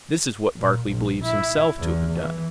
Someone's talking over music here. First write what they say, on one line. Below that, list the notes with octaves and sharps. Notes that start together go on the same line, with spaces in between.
This is what Berkeley believes himself to have done.
A#2
A#1
E4
E2
E3